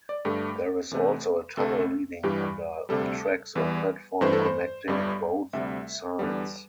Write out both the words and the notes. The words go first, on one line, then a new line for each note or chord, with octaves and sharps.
There is also a tunnel leading under the tracks and platform connecting both sides.
D5
G2 D3 A3 G4
E2 C3 A3
D2 C3 A3 A4
G2 E3 G3 G4
D2 C3 G3 A4
E2 E3 G3
G2 E3 A3 C5
A4
C5
G1 G2 G3
D2 C3 G3 E5
E2 D3 G3